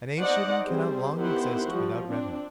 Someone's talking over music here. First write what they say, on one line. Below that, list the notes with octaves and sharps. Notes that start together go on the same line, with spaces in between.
A nation cannot long exist without revenues.
D#4 C5 D5 D#5 F#5
G3 C4 G#4 C5
D#3 B3 E4 G4 C5 F#5
F3 G3 F#4
C4 D4